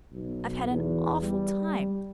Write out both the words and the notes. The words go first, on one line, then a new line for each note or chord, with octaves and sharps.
I've had an awful time.
B1
E2
G3